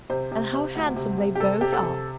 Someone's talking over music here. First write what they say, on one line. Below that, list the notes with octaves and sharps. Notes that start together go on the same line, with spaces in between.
"And how handsome they both are!"
C3 C5
C3
C3
D2
C3
C3
G4
C3 A4
C3 G4
A4
C3